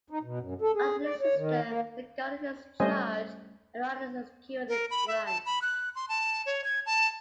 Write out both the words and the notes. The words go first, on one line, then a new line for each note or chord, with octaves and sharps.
Under this system, the governor is in charge of the island's executive branch.
D#4
B2
F#2
A4
G#4
D5
C#5
D#3
A#3
G3 A3 C#4 C5 D#5 G#5
A#4
B5
E5
A5
B5
F#6
C6
A5
C#5
G#6
A5